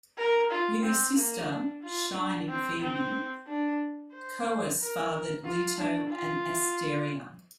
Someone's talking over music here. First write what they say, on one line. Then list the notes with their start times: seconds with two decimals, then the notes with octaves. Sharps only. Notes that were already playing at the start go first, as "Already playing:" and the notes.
With his sister, "shining" Phoebe, Coeus fathered Leto and Asteria.
0.17 A#4
0.50 F4
0.83 C4
1.16 A#3
1.48 D4
1.82 F4
2.16 D4
2.48 C4
2.80 C4
3.47 D4
4.13 C5
4.79 A#4
5.45 F4
5.78 D4
6.10 F4